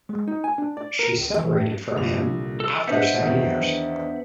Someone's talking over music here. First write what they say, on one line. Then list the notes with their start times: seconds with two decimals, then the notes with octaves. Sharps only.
She separated from him after seven years.
0.09 G#3
0.28 D#4
0.44 G#5
0.58 D4
0.77 D5
0.99 A#4
1.17 C#2
1.37 E3
1.52 A2
1.96 C2 A#2 D3 F7
2.60 A4
2.87 B3 D4 C5 D#5 E5 F#5
3.21 E2 D#3